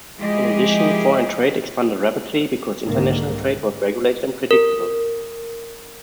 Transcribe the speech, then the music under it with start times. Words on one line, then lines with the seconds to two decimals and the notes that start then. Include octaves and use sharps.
In addition, foreign trade expanded rapidly because international trade was regulated and predictable.
0.17 F3 G#3 E4 G4 G#4 D#5
2.84 C2 G#2 D3 D#3 A#3
4.51 A#4